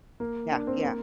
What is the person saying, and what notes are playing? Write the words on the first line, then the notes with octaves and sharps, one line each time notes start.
Yeah, yeah.
A#3
D4
C4
A#3